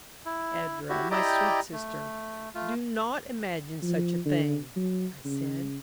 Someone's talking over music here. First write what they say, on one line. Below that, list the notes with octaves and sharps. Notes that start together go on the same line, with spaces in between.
"Edra, my sweet sister, do not imagine such a thing!" I said.
E4
E4 F#4 G4
E4 G4 D5 D#5 G5 A#5
A3
A3 F4
F3
D3
F#3
C#3